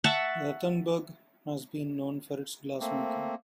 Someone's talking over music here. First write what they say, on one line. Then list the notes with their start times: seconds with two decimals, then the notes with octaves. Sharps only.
Rattenberg has been known for its glass making.
0.04 E5 F#5 A5 C#6
2.80 A3 A#3 C4